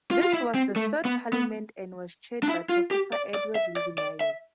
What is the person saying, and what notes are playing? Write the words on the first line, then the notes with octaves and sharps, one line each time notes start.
This was the Third Parliament and was chaired by Professor Edward Rugumayo.
F4
F4
E4
C4
A3
B3
B3
D4
E4
F4
G4
D5
D5
E5
D5
D5
E5